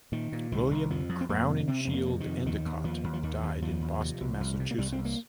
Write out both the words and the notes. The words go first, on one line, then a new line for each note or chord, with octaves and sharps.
William Crowninshield Endicott died in Boston, Massachusetts.
A#2 D#3
A#2
C2 D#3
C2
F2 F3
F2
C4
F2 A#3
C3
C3 C4
F2 C4
A#3
C3
D#3
F2
D#2 D#3
D#2
D#2 F3
D#2
F3
D#2 D#3
D#2
D#2 F3
D#2
C3
C2
C2
C3
A#3
C2 G3
C4
C2
A#3